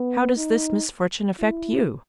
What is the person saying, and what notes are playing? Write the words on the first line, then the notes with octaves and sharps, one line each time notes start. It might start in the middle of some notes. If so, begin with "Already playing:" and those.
How does this misfortune affect you?
Already playing: B3
D#4
E4